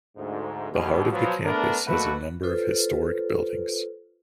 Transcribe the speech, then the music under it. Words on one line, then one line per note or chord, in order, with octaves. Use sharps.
The heart of the campus has a number of historic buildings.
D2 G#2
A1 D#2 B2
F3 F#3 B3
A3 B3 D4 A#4
B2 F#3 A3 A#3 F#4 B4
F4 A4 B4 C5